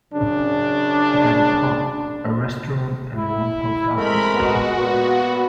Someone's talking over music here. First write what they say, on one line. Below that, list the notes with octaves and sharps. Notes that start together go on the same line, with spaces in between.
It has a pub, a restaurant and one post office.
F#2 C#3 D4
E4
G#3 A3 C4 A#4 B5
B3 F#4
A#2 B3